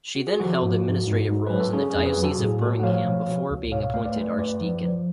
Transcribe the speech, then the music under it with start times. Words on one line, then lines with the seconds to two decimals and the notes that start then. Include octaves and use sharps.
She then held administrative roles in the Diocese of Birmingham before being appointed archdeacon.
0.15 F#4
0.27 G#4
0.40 F3 F#4 A4
0.62 G#2
0.85 G#2
1.07 G#2
1.29 G#2
1.47 F#3 B4
1.60 A4
1.72 C#4 G#4
1.90 F2 G#4
2.06 G#4 B4
2.17 F#3
2.23 F#4 A4
2.39 A2 G#4
2.61 A3 F#4 A4
2.80 F#5
2.83 F3 C#5 F5
3.06 B2
3.28 B2
3.50 C#2
3.72 G#2 C#5 F5
3.94 A3 F5
4.05 B4 D5
4.16 A3
4.38 F#2 B4 D5
4.61 F3
4.84 F3